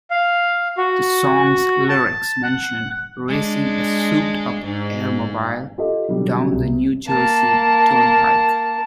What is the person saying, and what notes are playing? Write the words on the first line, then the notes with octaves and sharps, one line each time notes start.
The song's lyrics mention racing a souped-up "air-mobile" down the New Jersey Turnpike.
F5
F#4
A5
F#5
G#3 D4
G#2
F4 G4 A4 D#5
B2 D3 F#3 G3
C2
A#3 A5